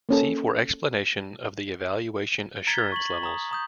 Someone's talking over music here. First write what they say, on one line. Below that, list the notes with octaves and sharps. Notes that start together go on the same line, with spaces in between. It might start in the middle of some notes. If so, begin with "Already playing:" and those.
See for explanation of The Evaluation Assurance Levels.
A#3 C#4 A4
A#5 G#6 A6 B6 G7
C#6 F#7
A#5 D#6
A#5 D#6 G6